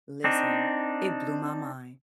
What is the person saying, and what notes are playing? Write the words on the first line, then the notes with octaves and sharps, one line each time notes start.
listen. It blew my mind.
C4 D4 D#4